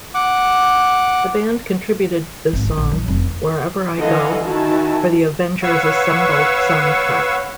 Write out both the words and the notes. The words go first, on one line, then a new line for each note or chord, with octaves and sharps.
The band contributed the song, "Wherever I Go," for the "Avengers Assemble" soundtrack.
F#5 D6
G#1
A#2
A#1
F#3
F1
D3 E3 D#5 F5 F#5 G#5
D#3 E4 F#4 G#5 A5
B4 C#5 F5 F#5 C#6 E6